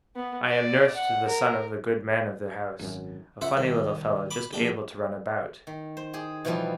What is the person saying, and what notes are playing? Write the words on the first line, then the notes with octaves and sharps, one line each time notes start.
I am nurse to the son of the good man of the house, a funny little fellow just able to run about.
B3
D5
F#5
A#4
G#1 F#2
C#2 C5 E5 F#5
C2 D#3
B5 D6
A#1 D4 G4
D#3
C5
G4 G#4
B2 E3 F3 G3 F4 G4